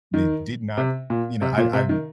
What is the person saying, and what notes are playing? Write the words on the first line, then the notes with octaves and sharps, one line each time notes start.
that did not you know, I I
D#3
C3
A#2
C3
A#2
C3
D#3